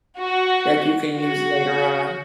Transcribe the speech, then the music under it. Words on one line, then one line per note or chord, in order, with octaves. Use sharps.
that you can use later on.
F#4
F#4